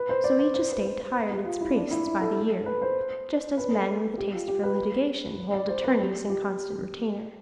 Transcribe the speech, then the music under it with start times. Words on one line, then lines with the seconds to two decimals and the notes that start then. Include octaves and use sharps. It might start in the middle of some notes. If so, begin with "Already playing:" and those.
So each estate hired its priests by the year, just as men with a taste for litigation hold attorneys in constant retainer.
Already playing: B4
0.09 C5
0.24 D5
0.39 C5
0.54 C5
0.70 B4
0.85 C5
1.00 C5
1.15 B4
1.31 G4
1.45 F4
1.61 E4
1.76 D4
1.91 E4
2.06 E4
2.21 A4
2.66 B4
2.82 C5
3.57 B4
3.72 A4
4.18 G4
4.33 F4
4.48 G4
4.63 B4
5.54 D5
5.69 C5
5.84 B4
5.99 G4
6.30 G4